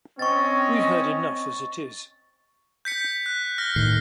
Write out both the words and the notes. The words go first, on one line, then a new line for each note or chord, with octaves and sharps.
We’ve heard enough as it is.
C4 C#4 D#5 C#6 A6
G6 B6 C#7
F#6
F6 A#6
A2 D#3 C7